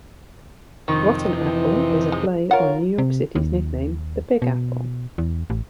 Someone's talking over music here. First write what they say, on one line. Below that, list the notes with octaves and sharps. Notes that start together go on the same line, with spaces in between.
"Rotten Apple" is a play on New York City's nickname "The Big Apple".
F2 C3 D#3 D#4
E3
G#3
F4 A#4 C#5 F#5
C3
D#2
B2
E2
A1